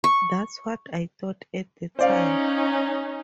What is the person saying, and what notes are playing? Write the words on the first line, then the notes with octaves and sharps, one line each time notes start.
That's what I thought at the time.
C#6
C#4 D#4 C5 D5 F5